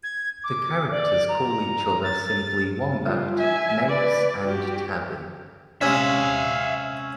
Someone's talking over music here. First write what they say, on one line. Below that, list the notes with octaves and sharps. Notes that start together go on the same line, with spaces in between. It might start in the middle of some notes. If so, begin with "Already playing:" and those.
The characters call each other simply Wombat, Mouse and Tabby.
G#6
D6
D5
A#5
A6
G3 F4
E5 G#5
B4 D5
F#4 G4
C3 G#3 C#4 E5 F5 E6 G#6 E7